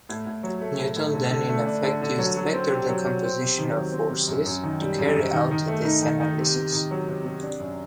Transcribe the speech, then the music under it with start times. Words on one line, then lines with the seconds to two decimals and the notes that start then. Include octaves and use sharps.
Newton then in effect used vector decomposition of forces, to carry out this analysis.
0.09 A2
0.26 A2
0.43 F#3
0.61 A3
0.79 A2
0.96 A2
1.13 D3
1.31 D3
1.49 A3
1.66 D4
1.83 D3
2.02 D3
2.18 F#3
2.36 F#3
2.53 C4
2.70 G4
2.89 F#3
3.06 F#3
3.24 C4
3.41 C3
3.58 D#3
3.76 F#3
3.93 C4
4.11 C3
4.28 F#2
4.46 F#2
4.63 D#3
4.80 G3
4.98 F#2
5.16 F#2
5.33 D#3
5.51 D#3
5.67 A3
5.85 D#4
6.02 D#3
6.20 D#3
6.38 C3
6.55 C3
6.73 D#3
6.91 F#3
7.08 C3
7.25 C3
7.43 D4
7.60 F#2